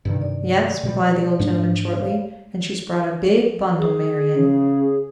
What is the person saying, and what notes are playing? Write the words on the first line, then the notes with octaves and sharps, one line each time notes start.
"Yes," replied the old gentleman, shortly, "and she's brought a big bundle, Marian!"
G2 C3 D#3
D5
B2 G3
G#2 A3 D4
C5 C#5 F5
G#4
C#3